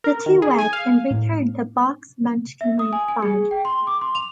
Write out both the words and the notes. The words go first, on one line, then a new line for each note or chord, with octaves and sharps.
The two wed and return to Boq's Munchkinland farm.
A#4
D#3
G#4
G#5
F5
A2
E5
D#6
G#5
G#5
G#4
G5
C6
D6
C6
F7